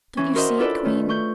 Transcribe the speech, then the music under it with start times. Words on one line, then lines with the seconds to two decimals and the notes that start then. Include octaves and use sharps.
Don't you see it, queen?
0.17 E3 C#4
0.35 F#4 A#4 C5 D#5 E5 F#5
0.58 D4 E4 F4 A4 B4 D5
0.85 D#3 A3
1.09 A3 C#6 G6